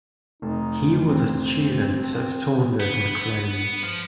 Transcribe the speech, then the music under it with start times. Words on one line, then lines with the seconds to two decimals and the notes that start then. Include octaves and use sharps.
He was a student of Saunders Mac Lane.
0.42 F1 D#4
1.02 C4
2.80 B3
3.22 B3
3.83 F3